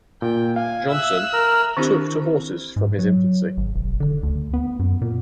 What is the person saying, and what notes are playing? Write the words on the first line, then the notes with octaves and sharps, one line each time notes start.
Johnson "took to horses from his infancy".
A#2 G5
F5 G#5
E5 E6 F#6
A#4
D#3 C4 D4 E4 G4
G#2
F#3
G#1
E1
D3
D2
B3
F#2
A#2